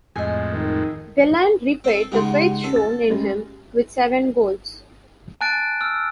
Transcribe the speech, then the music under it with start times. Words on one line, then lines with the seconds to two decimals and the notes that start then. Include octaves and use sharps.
Whelan repaid the faith shown in him with seven goals.
0.16 F2 A2 G#3 D#5 G#5
0.53 D#3
1.84 C4 A4
2.12 G#2 C#3 G4 F#5 C6
2.64 C#4 A4
2.76 A6
3.10 G3 G#3 C#4
5.41 G#5 A5 F#6 A6 D7
5.81 E6 F6